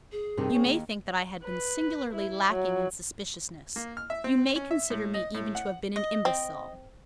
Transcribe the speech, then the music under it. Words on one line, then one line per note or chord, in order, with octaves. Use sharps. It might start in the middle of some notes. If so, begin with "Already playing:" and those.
You may think that I had been singularly lacking in suspiciousness; you may consider me even to have been an imbecile.
G#4
G2 C3 D#3
C4 C#4
D#2
B4
E4
F#3
A#3
F6
E5
C4
C#4
E5
A2
D#5
A2
F#5
D#5
C4